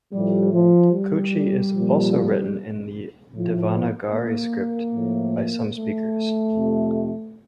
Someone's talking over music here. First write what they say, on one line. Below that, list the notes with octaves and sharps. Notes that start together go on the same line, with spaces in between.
Kutchi is also written in the Devanagari script by some speakers.
A2 F3 G3
F3
G3
A#2 F3
A2 F3
A#3
A2 F3
A3
F2 C3 F3